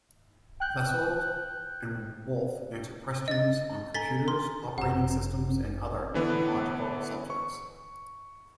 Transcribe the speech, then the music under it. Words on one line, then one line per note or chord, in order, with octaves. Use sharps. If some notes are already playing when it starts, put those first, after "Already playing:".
Fasoldt and Wolf answered questions on computers, operating systems, and other technological subjects.
G5 F#6 G6
D#5 A6
A4 G#5 A#5 A6 B6 G7
C6
G1 F#2 F#5 A#5
D3 E3 B3
C#6